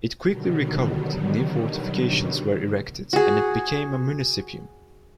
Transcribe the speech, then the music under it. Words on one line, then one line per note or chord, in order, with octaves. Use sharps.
It quickly recovered, new fortifications were erected, and it became a "municipium".
B2 D3 D#3 F#3 G3
F#4 G#4